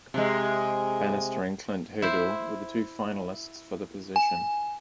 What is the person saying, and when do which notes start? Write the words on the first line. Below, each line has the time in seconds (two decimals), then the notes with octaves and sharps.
Banister and Clint Hurdle were the two finalists for the position.
0.14 C3 G#3
2.02 E4 C5
4.16 G#5